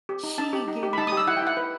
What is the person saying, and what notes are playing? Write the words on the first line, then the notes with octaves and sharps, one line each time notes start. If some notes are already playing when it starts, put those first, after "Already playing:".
she gave me her
G4
D#4
D#4 A5
G4
D#4
G4
B5
D#4 A5
D#6
G4 E6
E4 F#5
G5
E4 F#5
B4